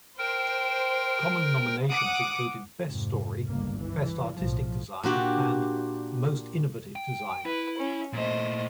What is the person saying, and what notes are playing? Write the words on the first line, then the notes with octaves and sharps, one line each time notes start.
Common nominations included "Best Story", "Best Artistic Design", and "Most Innovative Design".
A#4 C5 G5
F#5 D6 D#6
F2 G#2 C3
G1 C#2 A#3
E3
B1 A2 F3
A#2 D4 F#4 G4
G5
E4 B4
C#4
A#2 A3 C5 D#5